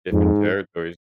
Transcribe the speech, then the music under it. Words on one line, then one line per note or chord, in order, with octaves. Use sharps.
different territories.
F2 G#2